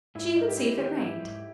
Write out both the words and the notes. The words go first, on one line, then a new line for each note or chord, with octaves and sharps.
She would see if it rained.
G#2 E4
G#2 D#4
G4
G#3 E4
D#3 G4
G#2 E4
G#2